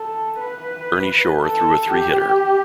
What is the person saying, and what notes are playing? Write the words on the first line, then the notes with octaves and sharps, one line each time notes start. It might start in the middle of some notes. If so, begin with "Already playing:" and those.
Ernie Shore threw a three-hitter.
Already playing: A4
B4
A4
G4